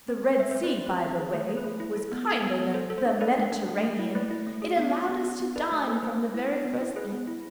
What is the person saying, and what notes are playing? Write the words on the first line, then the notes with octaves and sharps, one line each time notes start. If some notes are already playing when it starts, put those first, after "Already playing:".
The Red Sea, by the way, was kinder than the Mediterranean: it allowed us to dine from the very first evening.
C4
C4
C4 C5 E5
C5 E5
C4
B4 D5
F4 C5
C4 B4
C4
G#4
A3 C5
G#4
B4
A3
E4
A4
B3
A4
B3
B3
A4 C5
A4
C5
D4
A4 B4 D5
D4
D4
A3
A3
E4
A3 B4 D5
E4
A3
G#4
B3
F4
B3
B3
B3
A4 B4 D5
A3
A4
B4
A3 C5
A3
E4
B3
B3
E4
G#4 B4
B3
E4